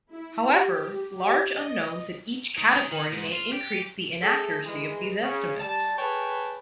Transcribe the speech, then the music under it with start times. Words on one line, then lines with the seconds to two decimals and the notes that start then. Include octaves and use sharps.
However, large unknowns in each category may increase the inaccuracy of these estimates.
0.12 E4
0.52 G4
1.14 G4
1.57 D#5
2.58 D#3
2.91 D#3
3.13 G#2
3.32 F4
3.52 G4
4.23 A3 G#4 A4
4.66 E3 G#3
5.22 C#3
5.61 G3 A5
5.98 G#4 A4 B4 C#5 G5 A5